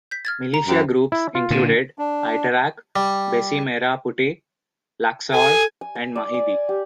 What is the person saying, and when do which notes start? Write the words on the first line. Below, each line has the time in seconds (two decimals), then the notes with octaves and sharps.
Militia groups included Aitarak, Besi Merah Putih, Laksaur, and Mahidi.
0.11 G6 B6
0.25 F6 G#6 A6
0.54 A#5
0.67 F#2 C5 G5 A#5
1.12 E4
1.35 F4
1.50 A#2 D3
1.99 D4
2.96 G3
5.33 A4 G#5
5.81 G#5
5.95 E6
6.16 D5
6.34 G#5
6.69 G4